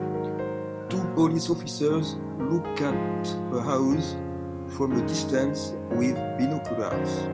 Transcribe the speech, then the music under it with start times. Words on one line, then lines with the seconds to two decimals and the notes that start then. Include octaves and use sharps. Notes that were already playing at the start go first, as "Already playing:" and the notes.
Two police officers look at a house from a distance with binoculars.
Already playing: G#2 D#3 F#3 F#4
0.14 A#4
0.39 C5
0.89 A#2 F#3
1.89 F#2 D#3 G#3
2.40 A#4
2.65 G#4
2.89 G#2 F3 G#3
3.90 F2 C#3 F3
4.90 F#2 D#3 G#3 D#4
5.41 C5
5.91 G#2 D#3 F#3 C#5
6.16 F5
6.41 F5
6.66 D#5
6.91 F#2 D#3 F#3 C5
7.16 C5